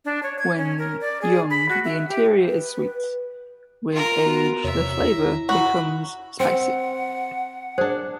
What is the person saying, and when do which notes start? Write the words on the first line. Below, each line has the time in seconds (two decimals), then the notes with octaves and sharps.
When young, the interior is sweet, with age the flavor becomes spicy.
0.05 D4
0.23 C#5
0.39 G#6
0.58 C#4
0.78 A#4
1.01 D5
1.22 G#4
1.50 B5
1.69 F#4
1.85 E5
2.09 G4
2.49 B4
3.92 F4 A#4
4.26 B3 F#4
4.64 E2 C3 C#5 E5
5.04 E4 A#5
5.49 F#4 B5
6.40 C4 F#5
7.78 D4 G#4 C5